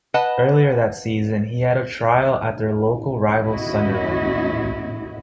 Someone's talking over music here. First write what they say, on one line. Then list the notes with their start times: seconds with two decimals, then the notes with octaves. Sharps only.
Earlier that season, he had a trial at their local rivals Sunderland.
0.14 B4 D#5 F#5 A5
3.43 D#2 A2 C#4 E4 F#4 D#5